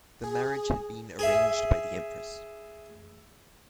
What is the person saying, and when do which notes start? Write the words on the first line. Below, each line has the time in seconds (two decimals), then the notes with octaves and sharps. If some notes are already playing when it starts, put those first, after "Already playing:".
The marriage had been arranged by the Empress.
0.23 G#4
1.19 G#4 E5